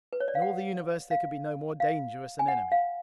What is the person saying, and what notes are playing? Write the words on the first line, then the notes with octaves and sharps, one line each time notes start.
In all the universe there could be no more dangerous an enemy.
B4
C#5
D5
F5
F#5
F5
F5
G#5
F#5
F5